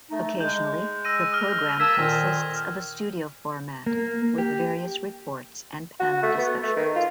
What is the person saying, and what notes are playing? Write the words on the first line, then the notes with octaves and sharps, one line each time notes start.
Occasionally, the programme consists of a studio format with various reports and panel discussions.
A3 D#4
G#3 G6
E6 A#6 D#7
D#6 F6
A#3 A5 E6 G#6 B6
F2 A#2 D#3
A#3
G4
F#4
A3
B3
A3
D#3
F4